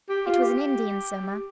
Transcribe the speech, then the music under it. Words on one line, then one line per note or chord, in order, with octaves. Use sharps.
It was Indian Summer.
G4
F4
G4